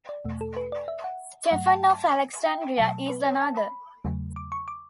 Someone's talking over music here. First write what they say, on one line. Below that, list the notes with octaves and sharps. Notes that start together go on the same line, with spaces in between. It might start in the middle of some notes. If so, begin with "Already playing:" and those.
Stephen of Alexandria is another.
D5
E2 B2 A3
A4
B4
D5
E5
F#5
G2 F#3 A3 F#5
A5
A5
G5
B2 F#3 A3 A5
B4
C#5
A5
B5
E2 C#3 F#3 A3
D6
C#6
D6